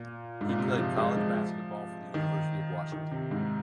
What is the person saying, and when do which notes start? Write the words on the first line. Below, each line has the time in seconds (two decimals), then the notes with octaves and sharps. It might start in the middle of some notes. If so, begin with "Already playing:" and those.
He played college basketball for the University of Washington.
Already playing: A#2
0.41 G#2
0.49 A#2
0.59 C3
0.78 F3
0.97 G#3
1.16 F3
2.14 D#3
2.92 D#3
3.11 C3
3.31 G#2